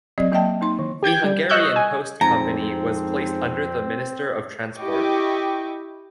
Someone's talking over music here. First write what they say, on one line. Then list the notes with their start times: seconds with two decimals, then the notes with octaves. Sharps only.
The Hungarian Post Company was placed under the Minister of Transport.
0.18 F#3 C4 G4 D5 D#5
0.32 F#3 A#3 D#5 E5 G5 A5
0.61 A#3 D#4 C6
0.79 D#3
1.03 G4 G5 G6 G#6
1.24 G3
1.49 D#5 C#6 E6 F#6 G6
1.76 G#5
2.21 F2 G#2 C4 A#5
4.77 E4 G4 D#5 G5 C#6 D6